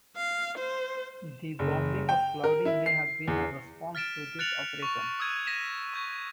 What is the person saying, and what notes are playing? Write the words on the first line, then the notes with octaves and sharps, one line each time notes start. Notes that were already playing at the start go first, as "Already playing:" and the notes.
The bombing of Claudy may have been a response to this operation.
F5
C5
F#1
G5
A#4
E4
C7
E2
F6 A6 B6 D7 E7
F#6 A6 C#7 F7 F#7
C#6 F7
D#6 E6 F#6 G#6 D#7
A#6 B6 D#7 E7
C#6 G6 G#6